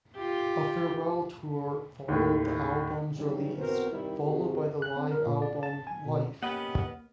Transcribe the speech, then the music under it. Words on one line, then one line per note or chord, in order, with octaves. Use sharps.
A farewell tour followed the album's release, followed by the live album "Life".
F4 G4
D#2 A2
C#3 E3 F#3 G3 C#4 D#4
E3 B3 C4 F#4 A#4 C5
C3 D#3 G3 E4
C3 F#4 G#4
F#6
C4
A#4
A#2
D5
A5
G#5
B2
A#3 B3 C#4 G4 B4 D#5 F#5